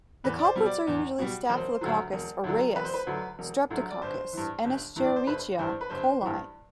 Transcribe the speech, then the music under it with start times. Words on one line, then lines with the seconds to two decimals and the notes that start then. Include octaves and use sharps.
The culprits usually are "Staphylococcus aureus", "Streptococcus", and "Escherichia coli".
0.24 E2 B4
0.39 D5
0.45 C5
0.56 B2 G3
0.66 D5
0.87 E2
1.19 B2 G3
1.49 E1 C5
1.81 D2 D3 F#3
2.13 E1
2.44 D2 D3 F#3
2.76 E1 B4
2.85 C5
2.94 B4
3.07 D2 D3 F#3
3.39 E1
3.70 D2 D3 F#3
3.90 D5
4.02 G1 C5
4.33 G2 E3
4.65 G1
4.96 G2 E3
5.04 D5
5.16 C5
5.27 G1 B4
5.59 G2 E3 C5
5.81 B4
5.90 G1 C5
6.21 G2 E3